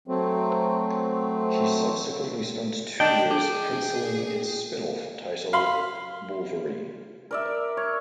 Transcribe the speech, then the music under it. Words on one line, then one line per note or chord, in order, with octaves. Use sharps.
He subsequently spent two years pencilling its spin-off title "Wolverine".
F#3 A3 C4
D4 D#5 G5 A5
D4 G#4
F5 B5 C6
A#4 D5 E5
C#5